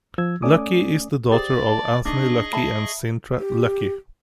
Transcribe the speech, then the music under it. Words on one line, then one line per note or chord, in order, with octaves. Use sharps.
Lucky is the daughter of Anthony Lucky and Cintra Lucky.
F3 E6 G#6
A3 C#4 D5 G#5 D6 D#6
G4 G#4 C5 D5 D6
A5
D4 D#4 G#4 D#5 C#6
E5 A5 B5
G4